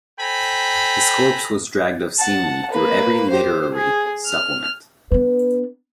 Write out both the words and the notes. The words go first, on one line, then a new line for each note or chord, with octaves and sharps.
His corpse was dragged obscenely through every literary supplement.
A4 C5 G5 G#5 A#5 B5
F#5 A5
A#3 B4
G4 C5
G#4
F6
B3 D4 B4